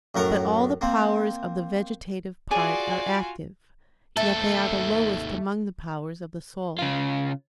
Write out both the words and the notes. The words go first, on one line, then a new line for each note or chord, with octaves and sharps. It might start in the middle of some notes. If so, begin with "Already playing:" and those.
But all the powers of the vegetative part are active; yet they are the lowest among the powers of the soul.
F#2 A2 A#4 F#5 A#5
A#3 C4
F4 F#4 G#4 D5 G#5
G#5
D#2 A3 A4
C#3 F4